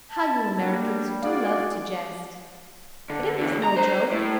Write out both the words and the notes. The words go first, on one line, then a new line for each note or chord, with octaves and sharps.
How you Americans do love to jest.' But it was no joke.
A5
G3 A#3 D4
F4 F#4 G#4 D5 F5
D3
E2 D3
A#5
B4 C5
A2